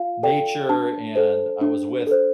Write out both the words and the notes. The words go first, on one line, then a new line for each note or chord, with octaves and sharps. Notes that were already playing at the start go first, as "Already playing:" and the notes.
nature and I was with,
Already playing: F4 F5
A4 D5 G5
D4 A5
A4 C5
D4
A4 C5